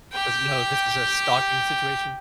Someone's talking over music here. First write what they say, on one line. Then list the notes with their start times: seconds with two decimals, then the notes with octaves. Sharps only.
'Cause, no, this is a stalking situation.
0.13 G4 G5